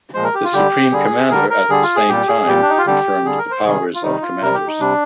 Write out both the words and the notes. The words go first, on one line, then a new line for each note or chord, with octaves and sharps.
The Supreme Commander at the same time confirmed the powers of commanders.
A#2 F3 G#3 C5
A#4
G4
F4
D3 G3 G4
D3 G3 G#4
D3 G3 A#4
A#4
D3 G3 G#4
F4
G#4
A#2 G3 G4
G#4
A#2 G3 G4
D4
D#4
F4
D3 G3 G4
D3 G3 G#4
A#4
C5
C3 D#3 G3 G#4
F4
C3 D#3 G3 D#4
F4
C3 G3 A#4
G4
D#4
C3 G3 D4